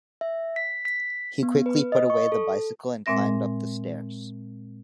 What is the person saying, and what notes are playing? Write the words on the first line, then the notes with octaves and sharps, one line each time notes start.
He quickly put away the bicycle and climbed up the stairs.
E5
B6
B6
B3
B4
D#5
C#6
A4
A#2 G#3 C4 E5 A#6